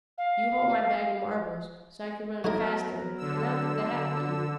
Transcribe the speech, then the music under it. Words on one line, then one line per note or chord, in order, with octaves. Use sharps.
"You hold my bag of marbles so I can run faster, and I'll get the hat for you."
F5
F#3 A3 B3 D#4 A#4 D#5
D3 E6